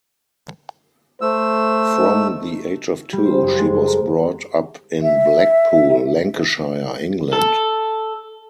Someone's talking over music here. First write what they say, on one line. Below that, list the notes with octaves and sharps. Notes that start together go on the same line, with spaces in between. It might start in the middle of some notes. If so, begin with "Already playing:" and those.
From the age of two, she was brought up in Blackpool, Lancashire, England.
A3 C5 E6
D#4
G3
C5
F#1
G#3
A4
A#4
E5
A4